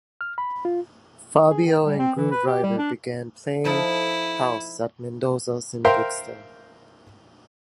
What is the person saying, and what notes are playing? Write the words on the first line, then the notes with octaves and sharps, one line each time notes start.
Fabio and Grooverider began playing house at Mendoza's in Brixton.
F6
B5
F4
G#4
D#3
G3
C4
E3
B4
G4
G3
D4
F3 D#4 E4 A4
A#4 C5 E5 F5 G5 C6